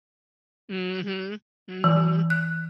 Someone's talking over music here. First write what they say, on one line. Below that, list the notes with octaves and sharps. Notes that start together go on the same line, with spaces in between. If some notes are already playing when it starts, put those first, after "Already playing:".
Mhm. Mhm.
E3
F#6